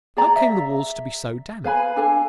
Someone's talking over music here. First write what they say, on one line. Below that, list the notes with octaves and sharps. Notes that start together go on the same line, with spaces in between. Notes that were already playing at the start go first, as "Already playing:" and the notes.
How came the walls to be so damp?
G#4 D5 A#5
E5
B4 F5 G#5 B5
D4 A4 G#5